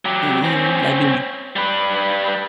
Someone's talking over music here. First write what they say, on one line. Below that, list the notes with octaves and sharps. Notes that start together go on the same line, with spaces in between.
Mhm. That'd be me.
F#3 G4
C4 C#4
G3 B4